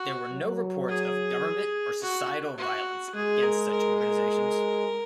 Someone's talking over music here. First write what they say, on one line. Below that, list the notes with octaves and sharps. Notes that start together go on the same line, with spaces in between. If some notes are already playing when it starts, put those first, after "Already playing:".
There were no reports of government or societal violence against such organizations.
Already playing: F#4
F#3
G#4
F#4
F#4
G#3 G#4
A#4
A#4
A#4